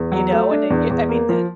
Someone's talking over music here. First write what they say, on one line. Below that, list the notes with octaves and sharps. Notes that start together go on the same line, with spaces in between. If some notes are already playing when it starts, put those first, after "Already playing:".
you know? And, i eh, I mean, the
Already playing: E2
F#3
A3
D4
E2
E2
A#3
F3